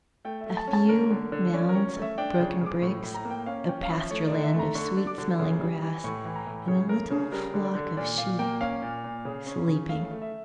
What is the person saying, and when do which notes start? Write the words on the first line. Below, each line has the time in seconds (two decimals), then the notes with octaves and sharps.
A few mounds of broken bricks, a pasture-land of sweet-smelling grass, and a little flock of sheep sleeping.
0.25 A3 G5
0.41 E5
0.46 A3
0.57 A5
0.67 C#4
0.73 A5
0.89 D3 A#4
1.10 D3
1.32 D3
1.53 C#4 D5
1.69 A#4
1.75 C#4
1.96 A3
2.02 E5
2.18 D4 G5
2.34 G5
2.40 C#3
2.50 C#6
2.61 C#3
2.66 D6
2.82 A2 C#6
3.03 A2
3.14 A#5
3.25 A#3
3.30 G5
3.46 C#4 F5
3.68 C#4 G5
3.83 F5
3.90 F3 E5
4.11 A3 C#5
4.27 D5
4.32 D3
4.43 E5
4.54 A3
4.59 A#5
4.75 D3 C#6
4.97 D4
5.07 D6
5.18 D3
5.40 C#3
5.61 G3
5.82 E3
6.04 A2 C#6
6.25 E3
6.36 A#5
6.47 A2
6.68 C#3 C#5
6.89 A3 A#4
7.10 C#3 C#5
7.32 G3 A#4
7.54 D3
7.64 D5
7.75 D3
7.97 A#2 D5
8.18 A#2 F5
8.39 A#3 G5
8.61 C#4 F5
8.82 A#2
9.04 A#2
9.25 C#3
9.47 C#4
9.68 C#3
9.89 A3 F5
10.11 A3
10.22 E5